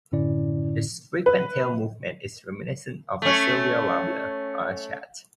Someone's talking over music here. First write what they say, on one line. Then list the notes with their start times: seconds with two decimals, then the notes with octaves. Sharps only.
Its frequent tail movement is reminiscent of a "Sylvia" warbler or a chat.
0.12 F#2 A2 D3 C#4 E4 D5
1.26 B4
3.22 A3 C#4